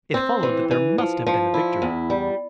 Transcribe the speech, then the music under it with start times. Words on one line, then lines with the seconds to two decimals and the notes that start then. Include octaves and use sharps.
It followed that there must have been a victory.
0.14 C4
0.43 E3
0.71 E3
0.98 F3
1.27 F3
1.54 E4
1.82 E2
2.10 G3